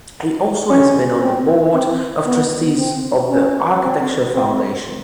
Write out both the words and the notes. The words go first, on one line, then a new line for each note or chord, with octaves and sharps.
He has also been on the Board of Trustees of the Architecture Foundation.
C#4
C4
C4
B3
C4
C#4
C4
C4